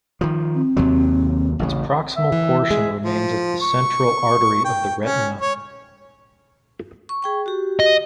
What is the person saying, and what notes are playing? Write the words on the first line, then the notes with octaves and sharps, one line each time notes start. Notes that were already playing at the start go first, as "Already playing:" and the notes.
Its proximal portion remains as the central artery of the retina.
D#3 F3
C4
D#2 C3 F#3
A1 C#3
E5
E3
G#3 G#4
F3
C#6
G5
C#4
C#5
C#6
G#4 G5 C#6
F#4 G4
D#5